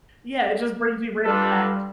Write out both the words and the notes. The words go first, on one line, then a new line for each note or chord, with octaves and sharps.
yeah, it just brings me right back
G3 D4 F4 A4 B4